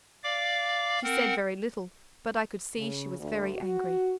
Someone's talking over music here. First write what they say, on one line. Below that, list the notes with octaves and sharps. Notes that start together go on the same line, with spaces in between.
She said very little, but I could see she was very angry.
D5 F5 D6
C4 A#4 F#5
C#3
D2
F#4